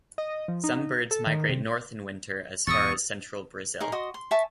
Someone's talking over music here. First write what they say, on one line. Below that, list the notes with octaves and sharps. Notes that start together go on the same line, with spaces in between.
Some birds migrate north in winter as far as central Brazil.
D#5
F3
D#4
A4
D#3
C3
E2 G#2 B2 C#6 D#6 E6 A6
D#4 G#4 A#4
F#4 D#5 C6 D#6
C6
E5 G#5 A5 C#6